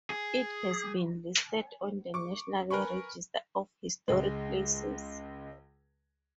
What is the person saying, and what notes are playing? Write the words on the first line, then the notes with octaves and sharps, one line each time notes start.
It has been listed on the National Register of Historic Places.
G#4
C#6 D6
A#4 B4 G#5 B5 C#6
C#2 G#3